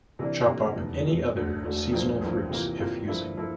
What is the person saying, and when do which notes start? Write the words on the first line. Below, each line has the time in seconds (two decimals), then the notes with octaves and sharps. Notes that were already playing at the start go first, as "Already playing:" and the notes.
Chop up any other seasonal fruits if using.
0.19 C3 E3 A#3 D4
0.47 C3 E3 A#3 D4
0.76 F1 E2 C3
1.05 F1 E2 C3
1.34 E1 D2 D3 A3
1.63 E1 D2 D3 A3
1.92 A1 G2 F3 A#3
2.21 A1 G2 F3 A#3
2.50 C3 E3 A#3 F4
2.78 C3 E3 A#3 F4
3.07 G2 F3 A#3 E4 A4
3.37 F3 A#3 E4 A4